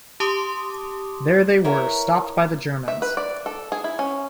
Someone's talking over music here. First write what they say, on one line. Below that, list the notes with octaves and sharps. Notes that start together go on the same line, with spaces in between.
There they were stopped by the Germans.
G4 A5 C6 D6 D#6
E4 A#4 B4 C#5
E5
B4
D5
A4
G#4
E4
C#4